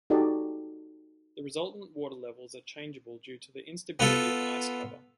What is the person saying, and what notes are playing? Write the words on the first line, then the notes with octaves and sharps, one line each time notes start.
The resultant water levels are changeable due to the instability of ice cover.
D#4 F#4 G4 A4 D5 D#5
B3 F4 A4